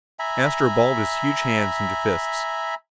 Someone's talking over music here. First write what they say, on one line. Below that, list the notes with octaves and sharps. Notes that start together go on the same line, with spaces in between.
Astro balled his huge hands into fists.
E5 G#5 A#5 B5